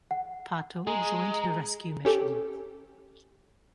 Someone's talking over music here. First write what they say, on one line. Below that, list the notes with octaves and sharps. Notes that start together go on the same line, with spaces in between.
Pato joined the rescue mission.
F#5
G#3 G#4 A#5
C#4 G4 A4